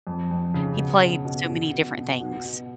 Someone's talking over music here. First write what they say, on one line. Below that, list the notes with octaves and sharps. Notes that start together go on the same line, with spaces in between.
he played so many different things."
F2
F2
C#3
B2
B2
B2
B2
B2
B2
B2
B2